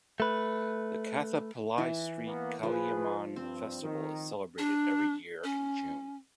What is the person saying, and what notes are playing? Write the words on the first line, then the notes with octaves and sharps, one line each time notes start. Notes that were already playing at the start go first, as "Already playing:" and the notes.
The Kathapillai street Kaliamman festival is celebrated every year in June.
A3 B4
E3
A#3 B3
F3 G#4 B4
G2 C4
D#3
D4
C#4